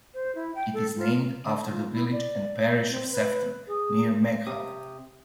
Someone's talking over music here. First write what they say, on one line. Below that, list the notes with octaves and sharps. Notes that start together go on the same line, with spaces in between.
It is named after the village and parish of Sefton, near Maghull.
C5
E4
G5
A4
F4
D3
F4
E4
D5
C4
B4
G#4
C3 G4 D#6